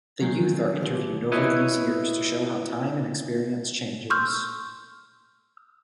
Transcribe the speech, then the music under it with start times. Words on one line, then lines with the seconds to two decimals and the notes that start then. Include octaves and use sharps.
The youth are interviewed over these years to show how time and experience changes.
0.19 D#3 F#3 G#3 A#5 G6 C7
0.81 B1 G4
1.32 E4 B4 C#5 D#5
4.10 C6 C#6 E6 F6 G6